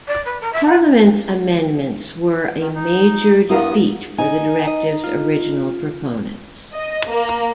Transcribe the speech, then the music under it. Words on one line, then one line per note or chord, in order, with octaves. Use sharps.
Parliament's amendments were a major defeat for the directive's original proponents.
D5
B4
A#4
E5
F#5
D#3
D#4
G2 B3 E4 A#4 F5 D#6
D#4 G#5
D#5
F4
D#5
A#3